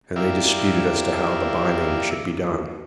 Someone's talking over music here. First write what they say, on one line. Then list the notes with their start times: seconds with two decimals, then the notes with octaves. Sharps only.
And they disputed as to how the binding should be done.
0.16 E4 G4 A#4 D5 E5 F5